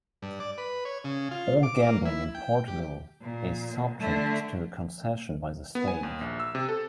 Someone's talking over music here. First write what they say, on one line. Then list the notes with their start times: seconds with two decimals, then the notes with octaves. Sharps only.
All gambling in Portugal is subject to a concession by the State.
0.22 G2
0.40 D5
0.58 B4
0.85 C#5
1.04 C#3
1.31 F4
1.63 D6
1.82 A#3
2.05 E4
2.35 G5
2.68 G4
3.22 A#2
4.00 D3 A3
5.75 B3
5.88 G#5
6.03 D#2
6.21 A#1
6.40 E6
6.55 C3
6.69 A4